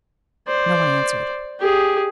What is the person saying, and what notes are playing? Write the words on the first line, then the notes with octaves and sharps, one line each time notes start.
No one answered.
C5 D5
G4 G#4